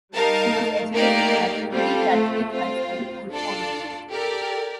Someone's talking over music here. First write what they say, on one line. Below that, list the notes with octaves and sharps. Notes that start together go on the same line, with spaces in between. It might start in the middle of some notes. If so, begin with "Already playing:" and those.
She was educated at Trinity Catholic High School, Woodford Green.
G3 D#4 A#4 F5 A5
A3
A#3 D#4 G4 A#4 D5
G3 C4 F4 A4
A3
C4 F4 C5
D4 F4 A4 D5 A5
G4 A4 A#4 D5